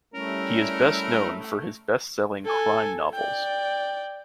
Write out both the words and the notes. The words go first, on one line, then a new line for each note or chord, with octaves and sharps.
He is best known for his bestselling crime novels.
G3 A3 C#4 E4 A#4
A4 G#5
D5 G5